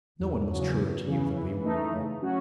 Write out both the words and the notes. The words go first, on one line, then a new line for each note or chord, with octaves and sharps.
No one was truer to you than we were, you know.
E2
C#3 F#3
E2
C#3 E3
E3
A3 D#4
C#3
F#3 C#4 F#4